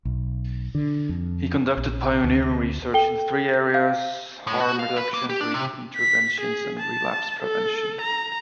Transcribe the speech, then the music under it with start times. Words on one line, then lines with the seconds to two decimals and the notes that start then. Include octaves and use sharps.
He conducted pioneering research in three areas: harm reduction, brief interventions, and relapse prevention.
0.05 B1
0.75 D3
1.09 F2
1.77 A#1
2.24 D2
2.93 A4 G5 G7
3.74 F5
4.47 A2
4.60 F#4
4.79 F5
4.96 B4
5.14 A#3
5.30 G4
5.41 D4
5.54 C3
5.96 B6
6.41 G#4
6.79 A5
7.42 A4
8.01 A#5